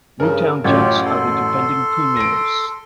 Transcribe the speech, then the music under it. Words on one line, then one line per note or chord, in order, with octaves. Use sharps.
Newtown Jets are the defending premiers.
G2 C#3 A#4
A1 F#2 F4 G4 C#5
A4 C6
A#6 D7